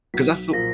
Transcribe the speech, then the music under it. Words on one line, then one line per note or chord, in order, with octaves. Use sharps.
'Cause I feel
B1 B6
A#2 F3 A#3 A#6